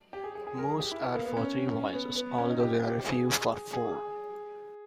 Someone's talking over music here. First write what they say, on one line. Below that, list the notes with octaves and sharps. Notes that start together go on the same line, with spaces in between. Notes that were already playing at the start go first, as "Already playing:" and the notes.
Most are for three voices, although there are a few for four.
G4
G#4
G#4
G#4
A#4
G#4
G4
E4
B3
A#3
B3
C#4
B3
B3
C#4
D#4
G4
G4
G#4
G#4